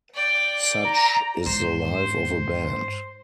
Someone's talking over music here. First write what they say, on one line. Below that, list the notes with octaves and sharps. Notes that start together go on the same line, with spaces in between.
Such is the life of a band.
D5 G5
A#5
G#2 C5